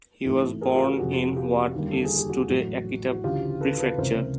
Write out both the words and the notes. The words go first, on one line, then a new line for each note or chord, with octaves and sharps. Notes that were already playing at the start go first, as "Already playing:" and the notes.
He was born in what is today Akita Prefecture.
A1 G#2 E3 A3
G#4 A#4
F4 G4
F#4
F1 F2 C3 F#4 G#4
F4 G4
F1 D#2 D3 G3 A#3
A4
G#4
G4
F#4
A1 A2 F#3 A3
F#4
D2 C#3 E3 F4 G4
A4 B4
A4 B4
C#2 C3 E3 A#4 C5